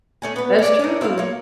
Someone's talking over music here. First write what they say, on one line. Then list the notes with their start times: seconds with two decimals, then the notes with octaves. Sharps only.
That's true.
0.22 A3 C#4 G#4
0.36 B3 B4
0.59 C#4 D5
0.79 C#4 D4 A#4
1.01 F3 E4 E5 F5
1.18 A#3 C#5